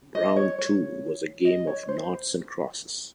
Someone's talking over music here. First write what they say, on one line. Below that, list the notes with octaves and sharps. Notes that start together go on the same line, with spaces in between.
Round two was a game of noughts and crosses.
D#5
C#5
C#5
D#5
C#5
C5